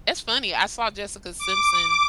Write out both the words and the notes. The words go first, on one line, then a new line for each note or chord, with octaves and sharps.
it's funny, I saw Jessica Simpson,
D6